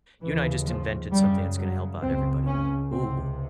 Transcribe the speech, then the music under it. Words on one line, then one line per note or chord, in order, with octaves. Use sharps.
you and I just invented something that's gonna help out everybody. Ooh!
D#2 C#3 E3
F3
F#2 C#3 G3
F#3
C#2 C#3 C4
C#4
C#2 C3 C4